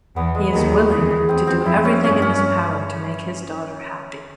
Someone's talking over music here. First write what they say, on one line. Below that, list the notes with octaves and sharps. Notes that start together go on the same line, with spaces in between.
He is willing to do everything in his power to make his daughter happy.
E2 E3 B3
G#3
D#2 D#3 G#3
G#3
E2 E3 G#4
G#4
C4
C4
F2 F3 E4
C#4
G2 G3 C#4
C#4